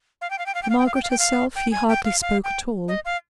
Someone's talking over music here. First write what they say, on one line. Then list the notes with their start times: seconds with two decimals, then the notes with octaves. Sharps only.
To Margaret herself he hardly spoke at all.
0.21 F5
0.30 G5
0.38 F5
0.46 G5
0.55 F5
0.63 G5
0.70 F5
0.79 G5
0.86 F5
0.94 G5
1.03 F5
1.10 G5
1.19 F5
1.56 G5
1.71 G#5
1.89 G5
2.04 F5
2.22 F5
2.44 G5
2.88 D#5
3.05 F5